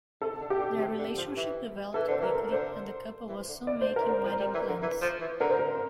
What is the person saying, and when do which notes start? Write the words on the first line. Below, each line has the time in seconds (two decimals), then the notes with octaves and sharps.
Their relationship developed quickly, and the couple was soon making wedding plans.
0.21 C3 A4
0.41 D3
0.50 G4
0.59 D3
0.79 C3 G4
0.98 D3
1.17 F3
1.37 E3
1.94 E3 A4
2.08 D3 C5
2.21 E3 A#4
2.52 D3 C5
3.29 E3
3.48 D3
3.67 D5
3.81 C5
3.87 D3
3.96 E3 A#4
4.06 D3
4.11 C5
4.25 F3 C5
4.40 G3
4.54 E3
4.68 D3
4.82 E3
5.02 F3
5.21 E3
5.40 D3 A#4
5.50 C5
5.59 A#4